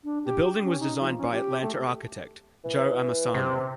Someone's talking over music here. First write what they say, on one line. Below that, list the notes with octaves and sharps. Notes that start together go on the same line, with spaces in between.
The building was designed by Atlanta architect, Joe Amisano.
D4
G4
C#4
D#4
F3
C#4
G4
A3
E3
C3 C4